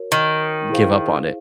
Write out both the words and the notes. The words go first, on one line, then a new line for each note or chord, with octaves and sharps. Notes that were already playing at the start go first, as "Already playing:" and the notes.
give up on it.
Already playing: F#4 A#4 C#5
D#3
E4 G#4 C5 F5